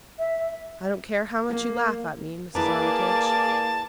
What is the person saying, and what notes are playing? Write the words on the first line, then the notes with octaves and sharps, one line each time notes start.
"I don't care how much you laugh at me, Mrs. Armitage."
E5
A#3
A#3 E4 G#4 B4 D5 A5 A#5